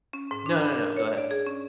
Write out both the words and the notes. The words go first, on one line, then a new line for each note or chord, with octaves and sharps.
No, no, no, go ahead.
C#4
G#2
D4
B5
A#4
C#5
D5
G#4
C#4